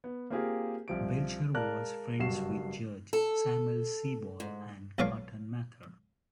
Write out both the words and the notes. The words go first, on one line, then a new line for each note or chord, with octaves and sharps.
Belcher was friends with Judge Samuel Sewall and Cotton Mather.
B3
A#3 C4 F4 G4 G#4 A#4
C2 F3 D7
G#3 A#4 D5 F5 A5 F#6
F#1 G2 F#4 C7 E7
A4
G#2
B1 A4 B4 C#5 D5 F5